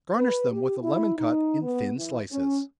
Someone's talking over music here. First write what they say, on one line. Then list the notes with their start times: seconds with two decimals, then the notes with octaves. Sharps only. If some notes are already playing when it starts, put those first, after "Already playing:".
Garnish them with a lemon cut in thin slices.
0.16 B4
0.51 G4
0.82 E4
1.17 D#4
1.62 B3
1.97 E3
2.31 C#4